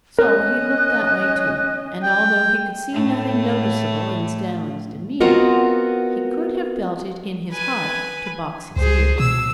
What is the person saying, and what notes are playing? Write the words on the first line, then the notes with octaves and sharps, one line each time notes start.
So he looked that way too; and although he could see nothing noticeable in Stanley's demeanour, he could have felt it in his heart to box his ears.
C#4 A#4 D#5 F#6
G5
A2 A3
B3 C4 F4 F#4 A#4 D#5
B4 G#5
C#2 G#4 C5
B2 E6